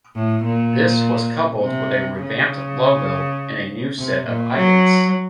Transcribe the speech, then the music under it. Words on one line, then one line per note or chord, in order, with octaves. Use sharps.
This was coupled with a revamped logo and a new set of idents.
A2
A#2
C3
C#3
C3
A#2
F#3